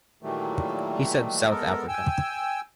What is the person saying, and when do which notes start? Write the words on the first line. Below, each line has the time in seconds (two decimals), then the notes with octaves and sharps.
He said, South Africa.
0.23 A#2 D#3 E3 F#3 G3 A3
1.50 G#3 B3 A4 A#4
1.88 G5 G#5 E6